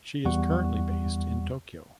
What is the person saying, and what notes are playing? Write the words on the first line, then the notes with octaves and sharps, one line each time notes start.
She is currently based in Tokyo.
E2 G3 F#5 C#6